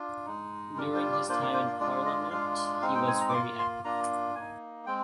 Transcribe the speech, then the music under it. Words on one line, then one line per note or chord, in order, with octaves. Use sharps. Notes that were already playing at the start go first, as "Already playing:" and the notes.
During his time in Parliament he was very active.
Already playing: D4 F4
G#3 D#4
G3 D4 F4 A#4
C5
D5
A#3 D4 F4 C5
A#4
C5
D5
G#3 D4 F4 D5
D#5
G#3 D4 F4 F5
G#3 C4 D#4 F5
G5
G#5
A#5
D6
A#3 F4 C6
C6
A#3 D4 F4 A#5
A#3 D#4 G#5
G#3 C4 G5